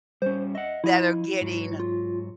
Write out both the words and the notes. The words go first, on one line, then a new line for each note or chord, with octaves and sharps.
that are getting
G3 C#4 C5
D#5 E5 F#5
F3 E4 D#5
G#2 F#3
F4